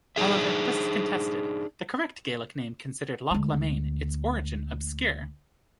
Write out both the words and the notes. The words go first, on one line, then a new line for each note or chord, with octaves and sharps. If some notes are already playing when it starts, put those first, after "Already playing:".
However, this is contested, the correct Gaelic name considered "Loch Laomainn", its origin obscure.
D4 D#4 G#4 E5
D2 G#3